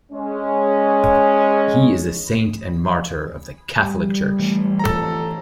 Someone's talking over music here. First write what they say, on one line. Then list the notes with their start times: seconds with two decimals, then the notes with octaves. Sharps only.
He is a saint and martyr of the Catholic Church.
0.12 G#3 C#4
3.77 G3
4.39 E3 A3
4.79 G1 F2 A4 A#5